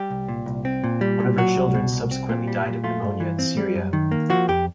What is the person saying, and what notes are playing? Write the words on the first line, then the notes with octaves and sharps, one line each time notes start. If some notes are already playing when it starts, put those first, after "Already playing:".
One of her children subsequently died of pneumonia in Syria.
Already playing: G3 G4
C2
A#2
C2
C4
A#2
G3
A#2
F#3 F#4
C2
B2
C2
C4
A#2
G3
A#2
A3 F4
G2
E3
C4
G3
F#2
D#3
A#3
F3 F#4
F2 G4